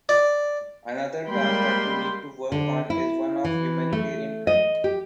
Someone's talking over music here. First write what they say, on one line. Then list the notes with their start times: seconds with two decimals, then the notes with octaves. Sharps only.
Another task that we need to work on is one of humanitarian kind.
0.09 D5
1.27 G3 G#3 A#3 G5 B5 C6
2.52 D3
2.90 E4
3.44 E3
3.93 A3
4.47 D#5
4.84 G4